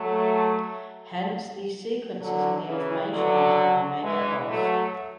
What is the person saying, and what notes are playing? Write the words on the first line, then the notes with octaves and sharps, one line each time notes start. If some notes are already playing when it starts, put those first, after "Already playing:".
Hence, these sequences and the information they carry may get lost.
Already playing: F#3 A3
D3 F#3
C#3 E3
D3 F#3
E3 G#3
F#3 A3